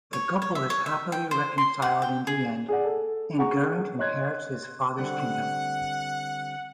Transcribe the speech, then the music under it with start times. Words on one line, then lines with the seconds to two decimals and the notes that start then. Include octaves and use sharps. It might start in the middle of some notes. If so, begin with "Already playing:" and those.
The couple is happily reconciled in the end, and Geraint inherits his father's kingdom.
0.13 C#5
0.42 C#5
0.55 E5
0.70 C#5
0.86 E5
1.12 G5
1.31 C5
1.58 C6
1.82 F#5
2.02 G5
2.27 G#4
2.68 G#4 D5 F#5
2.84 A4
3.38 G#4 F#5 A#5 C#6
3.98 C#5 D#5 C6 F#6 G#6
4.99 D3 G3 C4 F#5